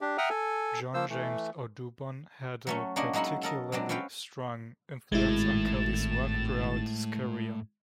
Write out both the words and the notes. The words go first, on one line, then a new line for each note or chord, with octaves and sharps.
John James Audubon had a particularly strong influence on Kelly's work throughout his career.
D4 G4
E5 F#5 G5 A#5 D#6 F6
A4 G#5
F3 A#3 C5 E6
E3 A3
F#3 A3 C#4
A#3 C#4 D4 F#4 D#5
F#3 G#3 D#4 E4 F#4
A4 A#4 D#5
F#3 G#3 C4 D4
C4 C#4 B4 F5 G5
G#1 A2 G#3 E4 A6 E7